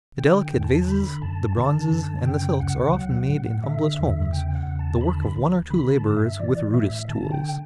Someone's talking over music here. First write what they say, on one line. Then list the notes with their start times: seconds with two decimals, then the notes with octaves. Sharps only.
The delicate vases, the bronzes, and the silks are often made in humblest homes, the work of one or two laborers with rudest tools.
0.18 D3 G5
0.42 G5
0.54 E2
0.64 A5
0.88 D3 B5
1.22 F#2 A5
1.57 D3 A5
1.91 F#2
2.25 C#3 G5
2.60 D2 F#5
2.94 F#3 F#5
3.30 A2
3.63 D3 E5
3.98 E2 E5
4.32 C#3 G5
4.55 F#5
4.67 E2
4.79 A5
5.01 D3 B5
5.12 A5
5.23 B5
5.36 D2
5.70 D3 B5
5.93 A5
6.05 G2
6.17 E5
6.39 E3 D5
6.74 A2 E5
7.08 D3 A5
7.32 G5